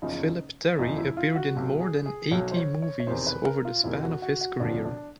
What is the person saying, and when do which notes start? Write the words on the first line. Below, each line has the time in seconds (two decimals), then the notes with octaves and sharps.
Phillip Terry appeared in more than eighty movies over the span of his career.
0.02 F#1 E2 C#3 F3 D#4
0.78 F#1 E2 C#3 F3 D#4
0.98 E4
1.17 F4
1.35 F#4
1.55 B1 B2 F#3
1.80 G#4
2.06 G#4
2.31 B1 B2 F#3 C#5
2.51 C5
2.57 C#5
2.82 C#5
3.00 C#5
3.07 E1 E2 C3 D#3 C5
3.27 B4
3.46 A#4
3.65 F4
3.83 E1 E2 C3 D#3 E4
4.03 F#4
4.22 F#4
4.41 F#4
4.60 E1 D2 C3 F3 D4
4.85 D4